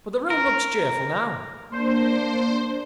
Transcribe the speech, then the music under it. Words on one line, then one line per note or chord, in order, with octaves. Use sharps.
But the room looks cheerful now.
A#4
A#3 D4 C5